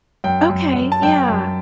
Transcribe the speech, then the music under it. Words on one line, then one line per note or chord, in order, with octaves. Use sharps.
Okay, yeah.
F#2 G5
F#2
F#2
A5
F#2 G5
F#2